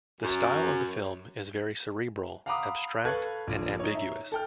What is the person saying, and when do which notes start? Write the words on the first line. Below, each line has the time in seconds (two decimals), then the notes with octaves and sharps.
The style of the film is very cerebral, abstract, and ambiguous.
0.21 F#2
2.46 F5 F#5 A#5 B5 D6 D#6
3.05 A4 B4 F5 C#6 F#6 G#6
3.47 A#1 D3
3.80 D#4 C#5
3.95 E5 A#5
4.32 A4 G5 F6